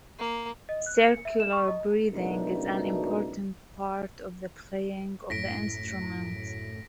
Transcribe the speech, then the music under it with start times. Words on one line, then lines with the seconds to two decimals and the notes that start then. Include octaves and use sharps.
Circular breathing is an important part of the playing of the instrument.
0.19 A#3
0.69 D#5
0.86 F#6
1.03 C#7
1.25 E5
1.40 E7
1.52 C#6
1.68 D#5
2.12 C#2 F#2 B2 A3 D4 D#4
5.30 F#2 A2 A#6 B6 D7